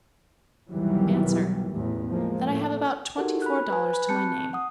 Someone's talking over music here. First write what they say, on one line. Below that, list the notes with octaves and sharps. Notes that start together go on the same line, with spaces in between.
Answer.--That I have about twenty-four dollars to my name.
B1 E2 D#3 E3 F#3 G3
A1 E2
F3 G#3 A#3
A2 A3
D#4 F#4 G4 A4 A#4 F#5
B5 F#6
B4 G#5
B5 F#6
C4 A5 C#6 F#6 G6 C#7
F#5 D#6